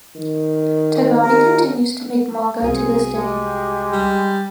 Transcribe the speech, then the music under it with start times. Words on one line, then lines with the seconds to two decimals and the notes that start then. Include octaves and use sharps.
Tagami continues to make manga to this day.
0.15 D#3
1.23 D#2 A#4
2.62 C2 C4 F#4 G#4
3.16 G#3 G4
3.92 G3